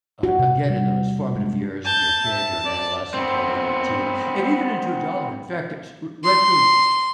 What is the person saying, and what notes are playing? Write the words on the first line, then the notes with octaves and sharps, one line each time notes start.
a again, in those formative years and you're a kid you're an adolescent, whatever, teen, and even into adulthood, in fact, uh, s r right through
F#4
C3
G3
G#3
A5 G6
E5
D5
B3 C4
C6